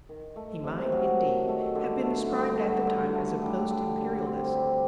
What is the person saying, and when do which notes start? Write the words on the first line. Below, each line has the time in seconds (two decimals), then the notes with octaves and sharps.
He might, indeed, have been described at the time as a Post-Imperialist.
0.09 D#3
0.36 A3
0.63 C3
0.92 F#3
1.20 D#3
1.48 A3
1.75 D3
2.02 A3
2.31 G2
2.59 F#3
2.87 D3
3.15 A3
3.42 G3
3.70 D3
3.98 D3
4.26 C4
4.54 G3